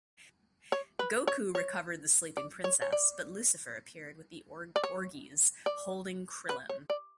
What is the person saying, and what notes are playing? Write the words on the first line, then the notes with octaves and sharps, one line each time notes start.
Goku recovered the Sleeping Princess, but Lucifer appeared with the orges, holding Krillin.
C#5
B4
C#5
C#5
D5
C#5
C#5
D5
D5
C#5
D5
B4
C#5
D5